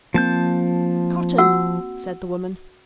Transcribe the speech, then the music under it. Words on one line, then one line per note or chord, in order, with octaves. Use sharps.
"Cotton," said the woman.
F3 A#3 C4 A5 G6
F#4 F#5 E6